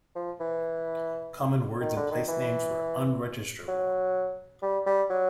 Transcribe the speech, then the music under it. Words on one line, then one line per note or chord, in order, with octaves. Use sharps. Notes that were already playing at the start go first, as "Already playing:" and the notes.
Common words and placenames were unregisterable.
F3
E3
D#3
D3
D#3
E3
F#3
G3
G3
F#3